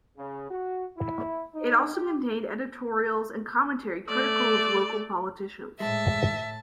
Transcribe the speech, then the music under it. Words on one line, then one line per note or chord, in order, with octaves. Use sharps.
It also contained editorials and commentary critical of local politicians.
C#3
F#4
E4
D#4
G4
A3 D5
A2 G#3 E5 A5